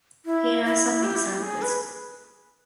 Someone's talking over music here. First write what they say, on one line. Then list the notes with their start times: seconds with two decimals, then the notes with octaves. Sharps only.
Here are some examples.
0.26 E4
0.65 E4
1.03 G4
1.16 E4
1.27 G4
1.42 G#4
1.62 B4